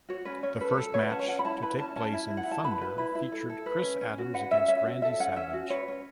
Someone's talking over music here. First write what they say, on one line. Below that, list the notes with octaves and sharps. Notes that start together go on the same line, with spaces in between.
The first match to take place in "Thunder" featured Chris Adams against Randy Savage.
F#4 C#5
C#4 B4
C#4 C#5
A4 B4
A4
B4 C#5
F#5
C#4 A5
C#5
C#4 F#5
B5
E4 A5
B4 B5
C#4 A5
C#4 A5
E4
E4
F#5
E4 A5
B4 B5
B4
E4 B5
E4
A4
A4
B4
C#4
C#4
F#4
B4 F#5
C#4 E5
C#4 E5
F#4
A4 E5
C#4 F#5
C#4 E5
F#4
B4 C#5
C#4